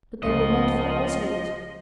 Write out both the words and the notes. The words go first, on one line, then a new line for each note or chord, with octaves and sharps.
But they were meant for Oswald.
C#2 F3 D#5